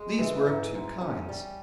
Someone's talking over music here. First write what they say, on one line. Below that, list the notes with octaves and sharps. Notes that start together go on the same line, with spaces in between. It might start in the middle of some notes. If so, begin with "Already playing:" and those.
These were of two kinds.
Already playing: G#3
E3
G#2
G#2
C#4
G3